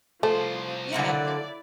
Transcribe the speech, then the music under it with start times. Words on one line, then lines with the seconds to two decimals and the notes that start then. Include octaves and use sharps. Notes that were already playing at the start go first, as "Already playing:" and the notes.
yeah, uh,
0.23 C2 F3 A3 C5
0.93 D3 F#3 A#3 E4 D5